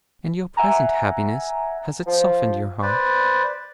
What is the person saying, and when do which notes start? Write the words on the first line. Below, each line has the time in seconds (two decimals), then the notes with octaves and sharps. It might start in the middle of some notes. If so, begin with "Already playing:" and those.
"And your present happiness, has it softened your heart?"
0.57 E5 F#5 G#5 A#5
2.06 F3
2.82 B4 C5 D5